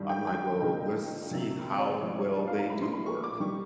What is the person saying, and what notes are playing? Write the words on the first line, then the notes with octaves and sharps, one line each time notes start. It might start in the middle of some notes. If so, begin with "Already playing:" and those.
I'm like, "Well, let's see how well they do work."
Already playing: G2 D#3 G3
G5
G5
G2 D3 F3 A#3 D#4
D2 C3 D#3 F#3
C#5
D5
C5
A1 G#2 F3 G#3 C4 C#5
C#5
D5
F5
A#5
A#1 A2 F3 G#3 B5
C6
B5
C#6
D6
D#3 G3 C#6